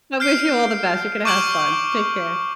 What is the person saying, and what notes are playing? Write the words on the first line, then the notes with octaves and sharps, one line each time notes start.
I wish you all the best, you gonna have fun. Take care.
F6 G6 C7 D7
C#6 D6 F6 G6 D7 F#7